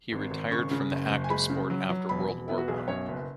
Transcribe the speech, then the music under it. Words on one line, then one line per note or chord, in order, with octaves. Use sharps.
He retired from active sport after World War One.
G#1
G#1
C#3 C#6
C#3
F#1
F#1
G#5
G#3 B5
C#3
F#3
F#3
E1 B5
E1
B3 E4
F#4
B1 G#4
B4
F#2 C#5
F#1 B4